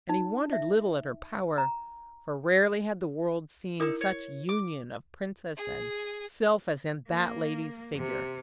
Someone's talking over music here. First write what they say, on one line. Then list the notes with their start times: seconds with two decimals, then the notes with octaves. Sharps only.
And he wondered little at her power, for rarely had the world seen such union of princess and sylph as in that lady's figure.
0.09 D#4
0.53 E5
1.58 A#5
3.80 D#4 E4 A#4 E6
4.01 C#5
4.49 D6
5.57 G#4
7.09 A#3
7.95 C3